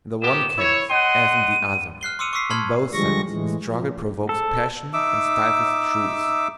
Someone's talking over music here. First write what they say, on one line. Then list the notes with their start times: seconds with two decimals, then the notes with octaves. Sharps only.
In the one case as in the other, on both sides the struggle provokes passion and stifles truth.
0.22 A#3 B3 G4 E7
0.58 E4 C#5
0.90 D#5 F#5 C6 D#7
2.01 F6 F#6 C7 G7
2.19 C6 D6 E6 C#7 D#7 F7
2.33 C#6 D6 E6 B6 C7
2.50 A5 B5 C6 F6 G#6
2.93 D3 F3 G3 G#3 C#6 A#6
3.28 A2 E3 G#3
3.67 F3
4.29 A4
4.93 D#4 E5 D6 E6